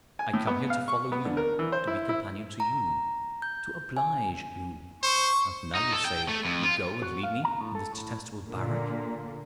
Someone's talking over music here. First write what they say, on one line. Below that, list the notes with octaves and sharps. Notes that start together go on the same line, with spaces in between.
I come here to follow you--to be companion to you, to oblige you--and now you say you go and leave me in this detestable barrack.
G#5
A2
B3
F5
C#6
B3
D3
A#4
E3
C5
E4
E4
A#5
G6
G#5
C5 C#6
D#4
A4
G5
A3
F2
F4
F#4
F5
A#5
A2
A4
A2
A#2 D3 A#3